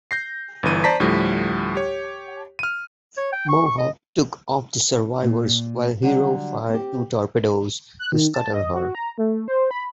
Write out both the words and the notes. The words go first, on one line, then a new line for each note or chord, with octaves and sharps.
"Mohawk" took off the survivors while "Hero" fired two torpedoes to scuttle her.
G6 A#6 C7
G1 G2 E3 D#7
C5 D5 A5 A#5 A#6 B6
D2 A2 F3 G3
G4 C#5
F6 D#7
C#5
G5
C#6
C#6
D#5
A#2
D3 F#3 G3
C4 G4
F#6
D#3
A5
D#5
F#4
A#5
A3
C5
B5